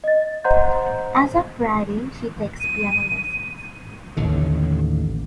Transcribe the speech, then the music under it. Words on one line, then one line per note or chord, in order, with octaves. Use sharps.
As of writing, she takes piano lessons.
D#5 A6
C5 D#5 F#5 A#5 C6 G6
D#7
A1 D#2 D3